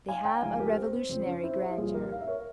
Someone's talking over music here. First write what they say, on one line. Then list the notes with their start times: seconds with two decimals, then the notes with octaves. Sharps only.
They have a revolutionary grandeur.
0.09 F5 G#5
0.25 G5 A#5
0.42 C#2 C#3 F3 F5 G#5
0.60 G4 A#4
0.76 C4
0.93 C4
1.09 F2 C#3 F3 C4
1.26 C#4
1.43 C4 E4
1.60 E4 G4
1.77 C2 A#2 F3 F4 G#4
1.94 G4 A#4
2.12 F5
2.21 E5
2.27 A#4 C#5